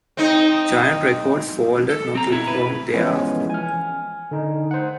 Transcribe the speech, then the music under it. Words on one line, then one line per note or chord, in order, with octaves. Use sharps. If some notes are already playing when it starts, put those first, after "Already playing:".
Giant Records folded not long thereafter.
C4 D#4
A4
C4 A#5
B2 E4
B4
E3 F3 G#3 B3 C#4
G#5 F6
D3 D#4
C5 F#5